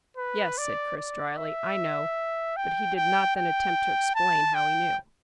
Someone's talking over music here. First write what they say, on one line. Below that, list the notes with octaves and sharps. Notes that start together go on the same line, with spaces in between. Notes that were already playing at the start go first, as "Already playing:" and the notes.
"Yes," said Chris dryly, "I know;" but he did not then attempt to explain how he knew.
B4
D5
D5
E5
G5
G5
G5
A5
G5